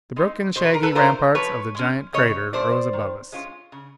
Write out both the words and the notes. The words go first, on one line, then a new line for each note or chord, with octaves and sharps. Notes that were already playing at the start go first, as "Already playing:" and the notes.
The broken, shaggy ramparts of the giant crater rose above us.
G#3 C4 D#4
B2 C5
B4
A#4
A4 B4
F#3 A3 D4 F4 A#4 C5
F3 B4 C#5
G#3 C#4
C#3 C#5 D#5
F3 A3 C5 D5
D#3
G#3 C#4 F4
C#3